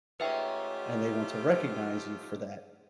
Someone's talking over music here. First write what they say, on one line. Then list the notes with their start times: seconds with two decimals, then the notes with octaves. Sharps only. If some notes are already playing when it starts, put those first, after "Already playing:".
and they want to recognize you for that.
0.20 G#2 A3 C#4 F4 G4 B4 E5 G5